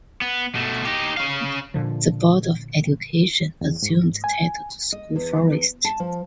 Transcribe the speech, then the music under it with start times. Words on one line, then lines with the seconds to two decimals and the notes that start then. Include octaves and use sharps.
The board of education assumed title to school forest.
0.21 B3
0.55 B2 A3
0.85 D#4 G4
1.17 C#4 F5
1.74 A#2 D3 F3
3.61 E2
3.82 G#2
4.24 G#5
4.92 D#5
5.16 E2
5.85 A5
6.00 F3